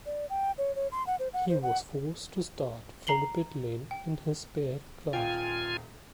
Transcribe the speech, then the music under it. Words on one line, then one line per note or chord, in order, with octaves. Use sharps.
He was forced to start from the pit lane in his spare car.
D5
G5
C#5
C#5
C6
F#5
C5
F#5
C5
F#5
A#5 C7 F#7 G7
G5
D#1 F4 F5 G5 G#5